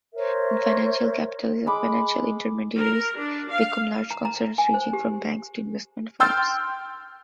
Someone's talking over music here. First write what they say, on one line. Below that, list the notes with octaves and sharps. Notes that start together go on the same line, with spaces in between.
In financial capitalism, financial intermediaries become large concerns, ranging from banks to investment firms.
A#4 C5 C#5 E5
G#3 B5 D6
A#4
D4
F5
A#5
A#5
G#5
C5
G4
G5 C6 E6 F6 G6 A6